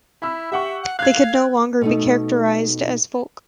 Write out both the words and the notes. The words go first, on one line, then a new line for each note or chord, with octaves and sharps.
They could no longer be characterized as folk.
E4 B5 E6
G4 E5 F#5 C#6
F#5
F5 F#6 G#6
B2 A3 D#4